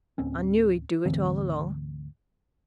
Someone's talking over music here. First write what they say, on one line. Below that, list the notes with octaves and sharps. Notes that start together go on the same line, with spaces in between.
I knew he'd do it all long.
D1 C4 C#4
D2 G#2 E3 C4